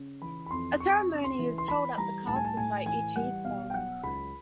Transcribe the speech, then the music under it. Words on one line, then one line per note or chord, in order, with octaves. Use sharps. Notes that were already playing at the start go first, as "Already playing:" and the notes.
A ceremony is held at the castle site each Easter.
Already playing: C#3
E3 B5
B5
F2 C6
F2 C#6
C#3
C6
E3
C6
E3 B5
G3 A#5
A2 A5
G#5
A5
A2 G#5
E3 G#5
G3 F#5
B2 F5
G5
F#3 F#5
C#2 B5